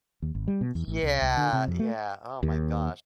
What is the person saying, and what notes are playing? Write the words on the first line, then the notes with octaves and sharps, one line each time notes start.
Yeah, yeah, oh my gosh.
D#2
G#1
G3
B2
E2
A1
C2
C2
D3
C3
F2
A3
D#2